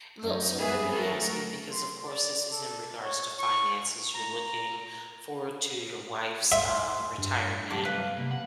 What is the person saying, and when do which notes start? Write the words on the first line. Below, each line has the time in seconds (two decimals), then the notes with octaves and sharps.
Le so let me ask you because, of course, this is in regards to finances, you're looking forward to your wife's, um, retirement.
0.23 F#2 D#4
0.58 G2 B3 G4 G#4 B4 E5
0.92 F#3 A3 F#4 A4 A#4
1.71 C6
2.05 D5
2.51 A4
3.02 C#5
3.38 C#6
4.14 A#5
6.52 E5 C6
7.18 G2
7.70 C2 F#2 G4 A5 D6
7.85 B4 F5
8.18 C3 A#3
8.31 F#5